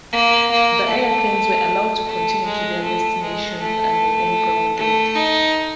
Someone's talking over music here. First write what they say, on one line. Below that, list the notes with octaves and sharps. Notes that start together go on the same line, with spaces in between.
The airplanes were allowed to continue to their destinations and were then grounded.
A#3
A#3
A3
A3
G#3
A3
G#3
A3
A3
D#4